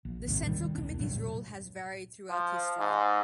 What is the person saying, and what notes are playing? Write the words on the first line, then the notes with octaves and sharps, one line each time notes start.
The Central Committee's role has varied throughout history.
A#1
A1 D#2 G#2 C3
D#3 G3
E1 C2 D4
G2 A#2 F#3
F3
G#2